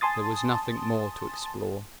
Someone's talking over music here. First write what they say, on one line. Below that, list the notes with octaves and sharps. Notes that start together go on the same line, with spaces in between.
There was nothing more to explore.
G#5 A5 C6 D#6 A6